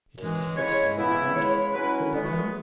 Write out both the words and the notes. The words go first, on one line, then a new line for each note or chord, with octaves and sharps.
"It is disgusting, is it not?" said D'Artagnan.
F#2 E3 G#3
C#3 G#3 E4 C#5
C#3 E3 B3 E4
E2 C#3 G#3 E4 C#5
C#5
C#5
B2 F#3 C#4 E4 B4
F#2 E3 G#3 B3 E4
F#4
G#4